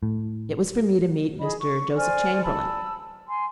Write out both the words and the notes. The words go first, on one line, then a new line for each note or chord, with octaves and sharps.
It was for me to meet Mr. Joseph Chamberlain.
A2
G#4 D#5 B5
C#6
C5 D5 G#5 F6
A5 B5 E6
G#5 C6